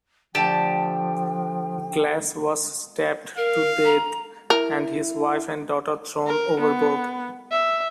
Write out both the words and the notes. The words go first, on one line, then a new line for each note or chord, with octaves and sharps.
Glas was stabbed to death, and his wife and daughter thrown overboard.
D3 F3 A3 G4 G5 A5
A#4 F5
A#5
E4 A#4
A#4
B3
E5